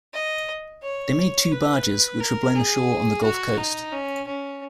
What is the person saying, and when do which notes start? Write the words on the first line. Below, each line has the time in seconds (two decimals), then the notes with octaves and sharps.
They made two barges, which were blown ashore on the Gulf Coast.
0.14 D#5
0.83 C#5
1.52 B4
2.20 A#4
2.55 G#4
3.23 F#4
3.57 D#4
3.92 C#4
4.27 C#4